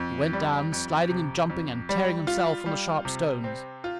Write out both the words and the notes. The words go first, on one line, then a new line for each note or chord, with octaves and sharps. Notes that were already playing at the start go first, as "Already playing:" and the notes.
He went down, sliding and jumping and tearing himself on the sharp stones.
Already playing: F2
G3
F2
C3
F2
G3
F4
G3
C3
C4
F4